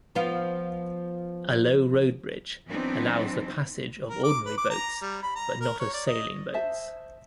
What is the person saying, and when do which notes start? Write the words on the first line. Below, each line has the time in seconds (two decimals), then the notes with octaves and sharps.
A low road bridge allows the passage of ordinary boats but not of sailing-boats.
0.15 F3 B3 F4
2.68 E3 F#3 B3 C4 D4 D#4
4.09 A#4
4.23 D6
4.46 B4
4.57 D6
4.70 A#5
5.01 G3
5.23 B5
5.35 A#5
5.61 A#4
5.80 C#5
5.94 D5
6.07 D#5
6.54 C5 E5 A5